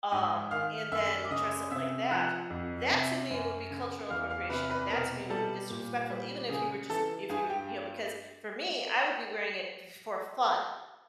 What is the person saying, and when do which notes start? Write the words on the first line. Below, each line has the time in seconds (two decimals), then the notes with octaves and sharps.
um, and then dress up like that, that to me would be cultural appropriation, that to me would be disrespectful even if you were just if you you know, because for me, I would be wearing it f for fun.
0.12 G#2 D#5 D#6
0.51 D#3 F5 F6
0.91 F#2 E5 E6
1.25 D6
1.31 C#3 D#5 D#6
1.71 C3 E5 E6
2.11 F3 F#5 F#6
2.50 F2
2.91 C3
3.30 F#2
3.70 C#3
4.10 E2 F5 F6
4.30 F5 F6
4.50 C3 B4 B5
4.70 B4 B5
4.90 B2 A#4 A#5
5.30 G3 A4 A5
5.70 A#2
6.10 G3
6.49 C#3 G#4 G#5
6.90 E3 A4 A5
7.29 G2 G#4 G#5
7.49 G4 G5